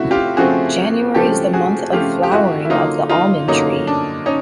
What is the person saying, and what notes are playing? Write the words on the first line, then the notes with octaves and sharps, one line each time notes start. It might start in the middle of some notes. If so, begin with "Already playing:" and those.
January is the month of flowering of the almond tree.
Already playing: C#3 A3 C4 E4 F#4
F4 G4
C#3 F3 A3 C4 F#4 G#4
C#3 F3 A3 C4 G4 A4
F#4 G#4
C#3 F3 A3 C4 F4 G4
G4
E4 F#4
E4
D3 F#3 A#3 C#4 D#4 F4
D#4 F4
D3 F#3 A#3 C#4 D#4
D4
C#4 D#4